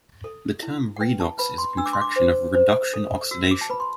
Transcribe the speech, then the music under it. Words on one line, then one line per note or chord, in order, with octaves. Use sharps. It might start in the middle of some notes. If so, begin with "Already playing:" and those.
The term "redox" is a contraction of "reduction-oxidation".
A4
E4
F#5
B4 G5
A5
B4 B5
C6
D4 E6
D6
C6
D6
C5
C5
A4
F#4 E6
D6
A5
B4 B5
C6